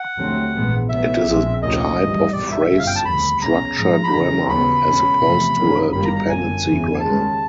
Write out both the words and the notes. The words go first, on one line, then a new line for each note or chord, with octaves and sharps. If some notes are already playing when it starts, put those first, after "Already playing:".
It is a type of phrase structure grammar, as opposed to a dependency grammar.
Already playing: F#5
D#2 D3 F#3 A3 C4
A#1 G#2 E3 G#3 B3
C2 B2 F#3 B3 E5
A#1 A2 F3 G#3 C4
D2 C3 F3 A#3 C#4 D#5
G#1 G2 E3 G3
C2 B2 G3 D5
E5
G1 F#2 C#3 E5
F5
G5
A5
F1 D#2 D3 B5
C2 B2 G#3 C#4 A#5
G#2 F3 G#3
B5
E2 C#3 E3 A#5
D#2 C#3 F#3 B3 B5
E2 B2 G#3 C#4
F1 E2 C3
F#2 D#3 F#3 A#3 C#4
G1 F#2 D#3 G3 A#3 B5
A#5
A#5
G1 F#2 D3 G#5
E2 C#3 E3
D#2 D#3 G#3 C#4 A5